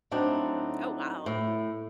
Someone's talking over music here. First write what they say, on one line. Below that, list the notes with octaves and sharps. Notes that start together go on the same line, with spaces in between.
Oh, wow.
A2 F#3 C4 D4 D#4
A2